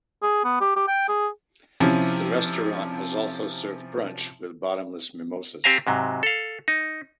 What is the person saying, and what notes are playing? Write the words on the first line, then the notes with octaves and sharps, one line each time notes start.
The restaurant has also served brunch with bottomless mimosas.
G#4
B3
G4
G4
G5
G#4
C3 F3 C#4 E4
C4 G4 C5 F5 G#5 A#5
G#2 C3 F#3
A4 F5
D#4